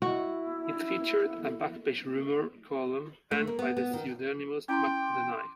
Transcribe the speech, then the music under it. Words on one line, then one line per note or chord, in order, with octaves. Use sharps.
It featured a back-page rumor column penned by the pseudonymous Mac the Knife.
E4 F#4
A3
A#3
B3
B3
D#3
C#4 E4 G5 A#5 C6 D6